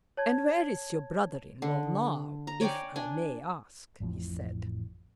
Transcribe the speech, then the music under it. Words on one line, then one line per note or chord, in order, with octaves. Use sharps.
"And where is your brother-in-law now, if I may ask?" he said.
C#5 A5 G#6
D3
A#5
C#5 D5 G5 G#5
D4 G#5
A1 F2 A2 F3